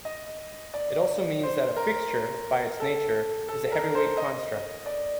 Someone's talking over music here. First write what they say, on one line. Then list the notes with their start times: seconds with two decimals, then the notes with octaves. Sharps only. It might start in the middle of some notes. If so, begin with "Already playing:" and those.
It also means that a fixture, by its nature, is a heavyweight construct.
0.05 D#5
0.74 D5
1.43 C5
1.77 A#4
2.80 A4
3.49 A4
3.72 A#4
3.95 C5
4.17 D#5
4.86 D5